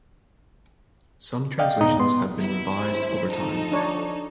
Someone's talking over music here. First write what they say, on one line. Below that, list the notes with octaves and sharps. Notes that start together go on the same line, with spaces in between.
Some translations have been revised over time.
D5 D#5 F5 G5
D#2 A#2 B3 D#4 D#5 A#5
B3 C6
F#2 C3 B3 E4
D#2 C#4 C5
D2 F3 D#4 A4
D4 C#5